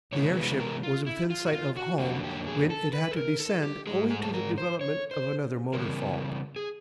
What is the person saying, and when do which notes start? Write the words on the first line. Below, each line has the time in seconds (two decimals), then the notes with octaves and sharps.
The airship was within sight of home when it had to descend owing to the development of another motor fault.
0.13 C3 E3 G#3 B3 E4 C#5
0.37 B4
0.60 A#4
0.83 F4
1.06 E4
1.30 F4
1.47 F#4
1.53 F4
1.77 F#4
2.00 F2 D3 F#3 A#3 F#4
2.24 G4
2.47 G#4
2.70 A4
2.93 B4
3.11 A4
3.17 A#4
3.40 A4
3.64 G4
3.87 G#2 F3 G#3 G#4
4.10 G#4
4.23 A4
4.34 A#4
4.58 C5
4.81 C#5
5.11 C5
5.74 C#3 E3 G3 C4 A#4
6.56 G#4